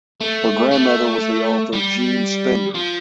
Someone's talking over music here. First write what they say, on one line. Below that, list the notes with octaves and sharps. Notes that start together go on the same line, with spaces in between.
Her grandmother was the author Jean Spender.
A3
A3
G3
F3